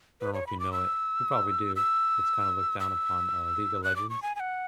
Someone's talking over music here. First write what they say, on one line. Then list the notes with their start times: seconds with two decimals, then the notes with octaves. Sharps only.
I don't know if you know it, you probably do. It's kinda looked down upon, uh, League of Legends?
0.21 B4
0.34 C#5
0.47 B5
0.60 D6
0.72 E6
1.76 E6
2.80 E6
3.84 F#6
3.96 D6
4.10 C#6
4.23 G#5
4.35 G#5
4.40 F#5